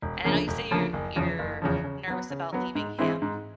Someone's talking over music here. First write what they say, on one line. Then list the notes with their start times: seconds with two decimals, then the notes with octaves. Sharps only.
and I know you said you're you're nervous about leaving him,
0.02 E1
0.24 D2 C#3 F3 A#3
0.48 E1
0.70 D2 C#3 F3 A#3
0.93 F#1
1.16 E2 C#3 F3
1.39 F#1
1.62 E2 C#3 F3
1.84 C#3
2.08 F#3 B3
2.30 C#3
2.53 F#3 B3
2.75 G#2
2.98 E3 G#3 C4 E4
3.22 G#2